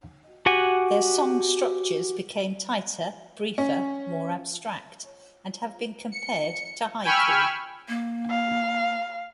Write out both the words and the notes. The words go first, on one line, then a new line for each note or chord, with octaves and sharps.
Their song structures became tighter, briefer, more abstract, and have been compared to haiku.
F#4 G4 F#5 G#5
C#4
C#7
G5 G#5 B5 C#6 E6 F6
A#3
F5